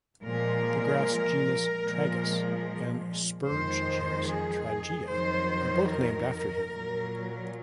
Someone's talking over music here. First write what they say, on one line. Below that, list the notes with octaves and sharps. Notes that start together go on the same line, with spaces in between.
The grass genus "Tragus" and spurge genus "Tragia" are both named after him.
A#2 F3 G#3 A#4
A#2 F3 G#3
F2 D#3 G#3 C5
G#4
F2 D#3 F#3 C5
A#4
A#2 F#3